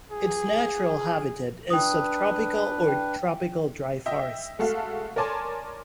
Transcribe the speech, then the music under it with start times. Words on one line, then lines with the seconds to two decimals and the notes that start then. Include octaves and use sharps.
Its natural habitat is subtropical or tropical dry forests.
0.12 G#4
1.70 D4 B4 G5 D#6
2.88 G5
4.06 D#5 E5 G5
4.59 G#3 A3 F#4 A4 E5 F5
5.16 A#4 C#5 D5 G#5 A5 C6